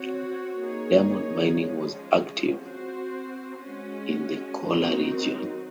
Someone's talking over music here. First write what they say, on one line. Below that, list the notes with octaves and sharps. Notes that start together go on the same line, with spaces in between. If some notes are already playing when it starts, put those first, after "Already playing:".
Diamond mining was active in the Kollur region.
Already playing: C4 F#4 C#5
A#3 D#4 G#4 C#5
F3 G#3 C#4 G#4
C4 F#4 C5
G#3 C#4 F#4
D#3 F#3 C4 D#4 F#4